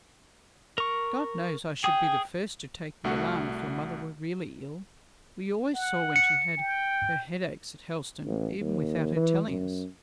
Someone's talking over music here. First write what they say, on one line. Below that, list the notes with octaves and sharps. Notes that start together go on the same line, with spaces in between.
God knows I should be the first to take the alarm if your mother were really ill; we always saw when she had her headaches at Helstone, even without her telling us.
A#4 C#6
G#4 G5 D#6
C2 A3 F#4 F#5
F#5
C#7
G5
A1
D#2
E3
F#2